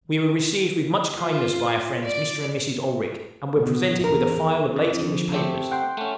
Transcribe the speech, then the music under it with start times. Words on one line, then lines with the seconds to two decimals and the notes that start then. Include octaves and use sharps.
We were received with much kindness by our friends, Mr. and Mrs. Olrik, and were presented with a file of late English papers.
1.20 F4
2.05 D5
3.57 B2
4.04 E2 A#4
4.76 F2
5.01 D3 F3
5.32 A3 C4 G4
5.71 F#5 G5 C6
5.97 A3 C#4